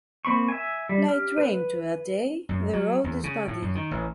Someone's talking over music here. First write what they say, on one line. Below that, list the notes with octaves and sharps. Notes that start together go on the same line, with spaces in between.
Light rain toady, the road is muddy.
A#3 C4 B5 C#6
E5 G#5
G3
G4 F6
B4 F#6
F#2
F#3
E2
C#3
A2
F#2
D#3
A1